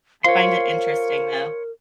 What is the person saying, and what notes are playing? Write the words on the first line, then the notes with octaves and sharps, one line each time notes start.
I find it interesting, though.
F4 A#4 C5 C#5 F5 C6